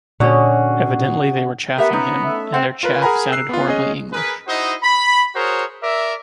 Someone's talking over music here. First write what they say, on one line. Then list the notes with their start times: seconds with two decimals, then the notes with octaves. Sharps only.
Evidently they were chaffing him, and their chaff sounded horribly English.
0.20 A#2 D3 C#4 F#4 G#4
1.78 B3 G4 A#4 E5 F#5
1.93 C#4 D#4 B4 A#5
2.24 A3 E5
2.54 C4 F#5
2.83 F4 A#4 B4
3.02 G#4 A#4 F#5 G#5 A#5 B5
3.32 E6 F#6 C7
3.49 B3 F4
3.67 C#4 G#4 D#5
4.12 G#4 A#4 B4
4.47 D#4 E4 F#4 C5 D#5
4.82 B5
5.35 F#4 G#4 A#4 C5 C#5
5.82 A#4 D5 E5